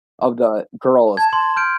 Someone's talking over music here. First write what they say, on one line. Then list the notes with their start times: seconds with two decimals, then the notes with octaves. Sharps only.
of the girls.
1.17 A5 G#6
1.33 C6
1.56 F6 G6 D7